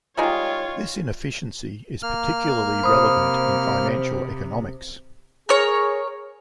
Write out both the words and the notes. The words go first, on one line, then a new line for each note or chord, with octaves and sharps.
This inefficiency is particularly relevant in financial economics.
D#3 G3 G#3 F4 C#5
A#3 F6
C3 C5 B5 D#6
G#4 A#4 C#5